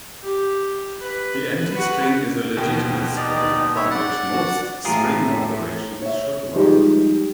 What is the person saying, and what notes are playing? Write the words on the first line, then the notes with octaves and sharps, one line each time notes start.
The empty string is a legitimate string, upon which most string operations should work.
G4
B4
F#4 B4
D#2 B2 G5
D#4 D5
E4 C#5 E5
D5 F#5
F#4
A2 F4 G#4 A#4
C#5 E5
F3 G3 G#3 D#4 G4